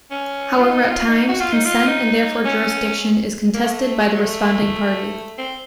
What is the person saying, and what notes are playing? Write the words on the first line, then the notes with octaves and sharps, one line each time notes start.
However, at times consent and therefore jurisdiction is contested by the responding party.
C#4
F4
D#4
F4
D#4
F#4
F4
D#4
F4
D#4
C#4
A#3
A3
F#3
A3
C4